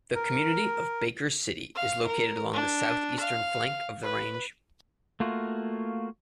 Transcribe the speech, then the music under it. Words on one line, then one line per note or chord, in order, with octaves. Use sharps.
The community of Baker City is located along the south-eastern flank of the range.
A#4
F5
A#4
D4
F5
B4
A3 A#3 F4 F#4